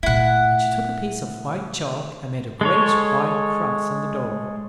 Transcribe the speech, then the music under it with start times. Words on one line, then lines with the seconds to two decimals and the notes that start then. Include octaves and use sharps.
And she took a piece of white chalk and made a great white cross on the door.
0.03 A#2 A3 E4 F#5
2.61 G#3 A4 C#5